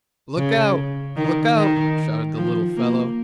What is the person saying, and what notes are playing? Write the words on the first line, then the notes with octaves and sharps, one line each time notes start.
"Look out! look out!" shouted the little fellow.
C#3
D#3
D#3
F3
A#3